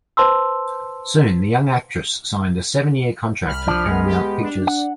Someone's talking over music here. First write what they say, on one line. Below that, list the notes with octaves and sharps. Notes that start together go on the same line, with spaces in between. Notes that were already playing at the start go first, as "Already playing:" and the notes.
Soon the young actress signed a seven-year contract with Paramount Pictures.
B4 C5 A5 C6 E6
C2 B5 F6
F3 D4
G#3 B3
G4
D4
F#5